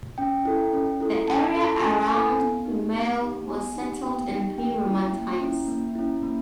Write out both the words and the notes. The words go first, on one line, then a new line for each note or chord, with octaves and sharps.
The area around Hemau was settled in pre-Roman times.
C#4 G5
E4 A4
C#4
E4 A4
C#4 A5
E4 A4
A5
C#4 G#5
E4 A4 G#5
B3
D#4 G4
B3
D#4 G4
B3 G#5
D#4 G4
B3 G5
D#4 G4
A#3 G5
C#4 E4
A#3
C#4 E4
A#3
C#4 E4
A#3